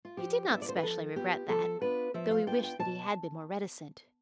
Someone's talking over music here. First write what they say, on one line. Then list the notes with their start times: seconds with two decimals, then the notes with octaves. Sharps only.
He did not specially regret that, though he wished that he had been more reticent.
0.05 F4
0.17 F3 G4
0.50 B3 D4 F4 E5
0.62 D5
0.69 C5
0.76 B4
0.83 F3 A4
1.16 B3 D4 F4 G4
1.49 F3 A4
1.81 B3 D4 F4 B4
2.14 F3 E5
2.31 F5
2.47 B3 D4 F4 G5
2.63 G5
2.80 B2 A5